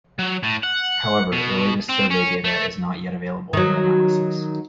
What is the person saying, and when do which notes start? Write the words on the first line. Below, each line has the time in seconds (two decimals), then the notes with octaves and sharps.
However, the latest survey data is not yet available for analysis.
0.19 F#3
0.43 A2
0.63 F#5
1.32 B2
1.89 C4
2.10 C#4
2.44 A3
3.53 D#3 F#3